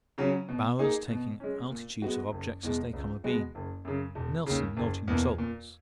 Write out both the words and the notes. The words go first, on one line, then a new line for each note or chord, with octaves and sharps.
Bowers taking altitudes of objects as they come abeam. Nelson noting results.
C#3 F#3 C#4
B2
A#3 D#4 G#4
B2
G#3 C#4
A#2
G#3 B3 F#4
F#1
E2 B2 G#3
C#2
B2 G#3 B3 F#4
F#1
F#2 C#3
E1
D#2 C#3
F#1
E2 B2 A#3
A#2